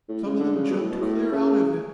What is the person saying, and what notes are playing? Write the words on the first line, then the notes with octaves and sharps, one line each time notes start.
Some of them jumped clear out of it.
A2
C#3
D3
C#3
B2
A2
B2
A2
C#3